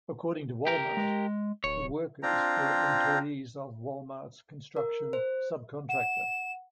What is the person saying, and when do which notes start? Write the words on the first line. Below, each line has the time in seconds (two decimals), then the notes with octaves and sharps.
According to Walmart, the workers were employees of Walmart's construction subcontractor.
0.67 G4 A#4
0.97 G#3
1.64 D1 C#5
2.23 C4 D4 F4 G5 A#5
4.77 A#4
5.13 C5
5.89 F#5 E7